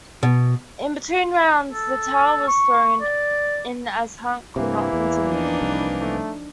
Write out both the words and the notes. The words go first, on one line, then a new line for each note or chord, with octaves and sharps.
In between rounds the towel was thrown in as Hunt could not continue.
B2
A4
C#6
D5
G2 C3 E3 A#3 E4
E2
F3 D4 D#4
C2 B4
A3